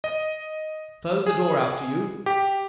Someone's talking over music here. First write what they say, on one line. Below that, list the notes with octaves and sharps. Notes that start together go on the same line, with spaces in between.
'Close the door after you.
D#5
G#4
G4